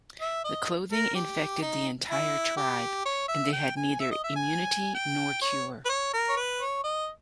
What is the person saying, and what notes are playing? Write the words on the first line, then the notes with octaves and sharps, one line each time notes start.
The clothing infected the entire tribe, and they had neither immunity nor cure.
E5
D#5
A#4
G4
D#4
E4
G4
C#5
E5
G5
G#5
E5
D#5
E5
G#5
G5
C#5
B4
C#5
A#4
C#5
B4
C#5
D#5